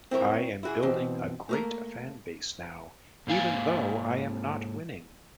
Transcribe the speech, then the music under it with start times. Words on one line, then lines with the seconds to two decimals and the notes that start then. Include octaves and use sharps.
I am building a great fan base now, even though I am not winning.
0.11 C4 E4 A#4 C#5
0.63 E4 F#4 G#4
0.83 B2 E3 C4
1.49 A3 A#3 A#4
3.27 G#2 A#3 F5 G#5